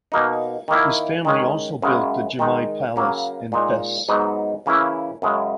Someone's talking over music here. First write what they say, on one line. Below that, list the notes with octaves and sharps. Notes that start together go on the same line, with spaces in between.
His family also built the Jamai Palace in Fes.
B2 A#3 D#4
D#3 A#3 E4
D#3 G#3 C#4
F#2 C#3 G#3
D#3 G#3 D#4
C#3 F#3 A#3 C#4
A#2 G#3 D#4
G#2 F#3 B3 D#4
C#3 E3 A#3 C#4 E4
F#2 C#3 G#3